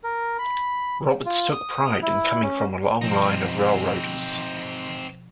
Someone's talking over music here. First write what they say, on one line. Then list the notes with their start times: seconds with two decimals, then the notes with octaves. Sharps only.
Roberts took pride in coming from a long line of railroaders.
0.04 A#4
0.39 B5
1.26 F4
1.52 D#6
2.02 E4
2.42 C#4
3.02 B2 F3 C4 D#4